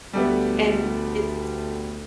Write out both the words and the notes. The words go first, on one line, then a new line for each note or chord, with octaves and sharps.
And it's
D2 G3 A3 B3